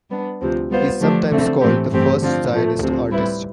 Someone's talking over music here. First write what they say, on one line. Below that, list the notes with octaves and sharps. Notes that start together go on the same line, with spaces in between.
He is sometimes called the first Zionist artist.
G3 B3 D4
D2 C3 F3 C4
G3 B3 F4 C5
D3 F3 A3 D4 G4
D3 A3 C4
A2 E3 A3 C4 G4
G2 E3 A3 C4 G4
D3 F3 C4 F4
A2 F3 A3
D2 C3 F3 C4
A2 G3 C4 E4 B4